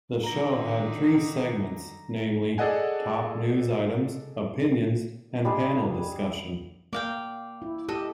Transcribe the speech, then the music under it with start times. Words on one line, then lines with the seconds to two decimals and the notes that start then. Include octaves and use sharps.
The show had three segments, namely: Top News Items, Opinions, and Panel Discussion.
0.24 D3 D#3 A#5 A#6
2.58 G#4 A4 D5 D#5 F#5 G#5
5.45 G3 G#3 D4 G#4
6.93 A#3 D5 F5 G5
7.62 E4
7.89 G4 A4 D#5